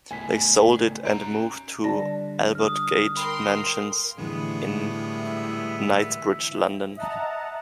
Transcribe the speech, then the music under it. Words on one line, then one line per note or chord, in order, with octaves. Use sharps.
They sold it and moved to Albert Gate Mansions in Knightsbridge, London.
A2 C#3 A3 G#5 B6
C#4 A#5 D7
D3 G3 D5 A5 A#6
D#6 F6
A#4 G5 B5 C6
A2 D3 E3 G3 G#3 B3
E5
D#5 E5 F#5 A5 A#5